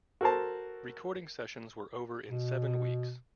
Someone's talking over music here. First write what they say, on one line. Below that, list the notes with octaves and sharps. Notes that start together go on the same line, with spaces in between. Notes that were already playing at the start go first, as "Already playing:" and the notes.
Recording sessions were over in seven weeks.
F#4 A4 A#4 C5 A5
B2